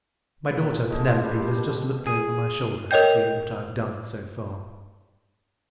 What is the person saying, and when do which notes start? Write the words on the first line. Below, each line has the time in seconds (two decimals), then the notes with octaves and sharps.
My daughter Penelope has just looked over my shoulder to see what I have done so far.
0.50 A#2 B4
0.91 D3 F3 G#3
1.23 G3 C4 C5
1.58 B2
2.07 G#4
2.91 A#4 C#5 D#5 G5 G6